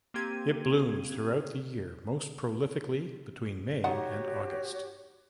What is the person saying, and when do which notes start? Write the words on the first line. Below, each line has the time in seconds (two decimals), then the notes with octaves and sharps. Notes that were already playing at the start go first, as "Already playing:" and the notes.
It blooms throughout the year most prolifically between May and August.
0.14 A#3 C4 G4 G#6 D#7
3.84 D#3 F#4 G4 C#5 F#5